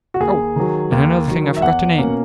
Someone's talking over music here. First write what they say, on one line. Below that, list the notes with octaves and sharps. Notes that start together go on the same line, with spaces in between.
Oh! and another thing I forgot to name!
F#4
D#2 G#4
D#3 F#3
D#2
D#3 F#3
E5
E2 F#5
B2 A#3 C#4